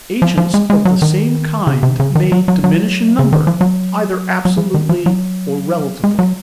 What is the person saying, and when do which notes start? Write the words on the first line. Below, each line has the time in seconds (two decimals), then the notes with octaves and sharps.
Agents of the same kind may diminish in number, either absolutely or relatively.
0.22 F3
0.37 F3
0.54 G#3
0.70 G#3
0.85 F#3
1.02 D#3
1.67 C#3
1.83 C3
2.00 C#3
2.15 D#3
2.32 F#3
2.48 F#3
2.64 F#3
3.19 C#3
3.33 D#3
3.47 F3
3.61 F#3
4.45 F#3
4.58 F3
4.74 D#3
4.89 F3
5.06 F#3
6.04 G#3
6.19 F#3